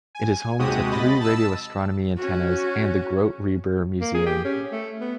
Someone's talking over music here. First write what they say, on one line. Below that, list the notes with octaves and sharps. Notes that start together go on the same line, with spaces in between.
It is home to three radio astronomy antennas and the Grote Reber Museum.
G#5
D#2 C3 G#3 F#4 G4 D#6
D#5 B5 A6
A5 E6
C#4 F#4
A#3
G#4
G4
C#4
A3
B3